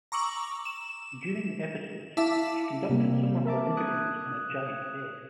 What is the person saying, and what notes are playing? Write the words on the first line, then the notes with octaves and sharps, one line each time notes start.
During the episodes, she conducted some of her interviews on a giant bed.
A#5 C#6 D6 E6 F#7
E7
E4 E5 F5 A5 D6 E6
C3 G3 A#3 C4
A#4 E5 A5 D6
D#6 F#6 G#6